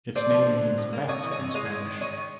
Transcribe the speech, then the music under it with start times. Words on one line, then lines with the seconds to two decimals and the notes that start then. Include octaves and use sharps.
Its name means bat in Spanish.
0.16 A3 C5 D5
0.31 F3
0.47 D3
0.61 F#3
0.78 A2
0.93 A#3
1.08 C3 C#5 D#5
1.24 E3
1.31 C#5 D#5
1.39 C3
1.54 G#3 C#5 D#5
1.70 G#3
1.85 D#3
2.01 D#3 C#5 D#5
2.17 D#3